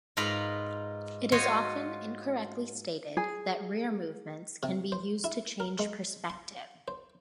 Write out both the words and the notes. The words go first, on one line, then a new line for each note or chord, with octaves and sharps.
It is often incorrectly stated that rear movements can be used to change perspective.
G#2 D#4 F4 A#4 B4 B5
F4 F#4 C5 C#5 D#5
G#4
C3
C5
E4
A#4
G#3
C6
C5